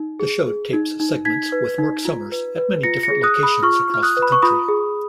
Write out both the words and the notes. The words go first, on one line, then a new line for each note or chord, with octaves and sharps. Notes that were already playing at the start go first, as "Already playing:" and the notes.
The show tapes segments with Marc Summers at many different locations across the country.
Already playing: D#4
G#4
G#4
D#4
D#4
D#4 G#6 B6
B4
D#4
F4
B4
B4
F4 A#6 C#7
A#6 C#7
G#4
D#6 F#6
G#4
B5 D#6
F4 C#6 F6
F4 F6
D#6 F#6
B4
B5
C#6
F4 B5 D#6
G#4